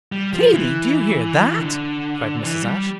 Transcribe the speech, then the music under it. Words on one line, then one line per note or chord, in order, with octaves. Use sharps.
"Katy, do you hear that?" cried Mrs. Ashe.
G3
F3
E3
D3
E3
G3